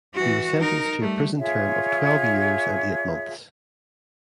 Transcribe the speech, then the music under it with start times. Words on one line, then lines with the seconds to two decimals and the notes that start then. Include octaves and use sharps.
He was sentenced to a prison term of twelve years and eight months.
0.14 E3 F#4
0.60 D#4 A#4
1.01 G3 A3
1.37 F4 G#4 C#5 E5